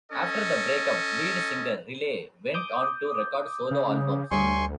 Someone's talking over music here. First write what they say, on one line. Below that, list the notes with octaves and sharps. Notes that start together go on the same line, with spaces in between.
After the breakup, lead singer Riley went on to record solo albums.
C#4 A4 D#5
D6 D#6 G6
C#3
D2 G3 C#5 E5 G#5 C6 C#6